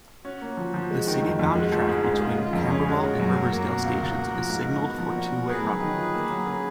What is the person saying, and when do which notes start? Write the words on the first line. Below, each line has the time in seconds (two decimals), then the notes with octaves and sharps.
The city-bound track between Camberwell and Riversdale stations is signalled for two-way running.
0.24 C#4 F#4
0.41 A#3
0.57 F3
0.74 F3
0.91 G#3
1.07 D#3
1.23 F2
1.39 F2
1.55 G#3 F#4
1.72 F3
1.88 G#2 G#4
2.04 G#2
2.21 G#3 F4
2.38 C#3 F4
2.53 F2 A#4
2.65 G#4
2.71 C#4
2.86 G#3 F#4 A#4
3.03 C#3
3.20 F#2
3.36 F#2
3.52 A#3
3.68 B2
3.84 C#2
4.00 C#2
4.17 A#3
4.34 F3
4.50 G#2
4.66 D#4
4.83 B3
4.99 F3
5.16 A#2
5.32 F4
5.48 B3 G#4 B4
5.64 F#3
5.81 D#3
5.97 F4
6.14 A#3
6.30 F#3
6.46 C#3